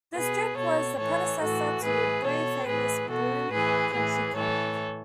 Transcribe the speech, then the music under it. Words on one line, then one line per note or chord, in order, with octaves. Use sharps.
The strip was the predecessor to Breathed's famous "Bloom County" comic.
B2 G#4 B4
B2 A4 C#5
A2 E3 A4 C#5
A2 E3 F#4 A4
A2 E3 G#4 B4
B2 A4 C#5
A2 E3 G#4 B4
B2 F#4 A4
A2 E3 G#4 B4
A2 E3 G#4 B4
A2 E3 A4 C#5